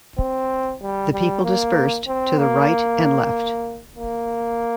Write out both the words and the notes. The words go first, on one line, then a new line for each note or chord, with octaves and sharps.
The people dispersed to the right and left.
C4
G3
G3
A#3
C4
A#3
A#3